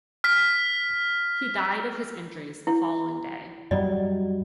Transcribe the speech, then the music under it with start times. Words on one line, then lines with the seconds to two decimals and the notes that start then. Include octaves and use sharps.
He died of his injuries the following day.
0.24 F6 B6
2.67 E4
3.71 F#2 F#3 G3 D5 D#5